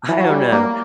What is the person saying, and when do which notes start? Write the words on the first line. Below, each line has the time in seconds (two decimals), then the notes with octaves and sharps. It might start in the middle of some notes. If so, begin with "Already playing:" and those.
I don't know.
0.09 E3
0.20 F#3
0.31 G3
0.52 A#3